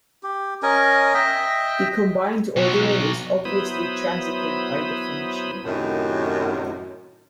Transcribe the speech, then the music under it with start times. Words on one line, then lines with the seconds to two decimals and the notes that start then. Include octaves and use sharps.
The combined ordering is obviously transitive by definition.
0.23 G4
0.63 C#4 A#4 D#5 G#5
1.14 D#5 E5 G5
2.56 B2 F#3
3.45 F#3 B3 E4 C5 B5 D#6
5.64 F#2 A2 C3 D#3 F#3